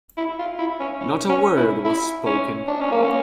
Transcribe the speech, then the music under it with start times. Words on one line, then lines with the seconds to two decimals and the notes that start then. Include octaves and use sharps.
Not a word was spoken.
0.17 E4
0.39 F4
0.59 E4
0.80 C#4
1.01 C#4
1.29 C#4
1.56 E4
1.85 E4
2.26 C#4
2.68 D4
2.81 C#4
2.92 A#3
3.04 C#4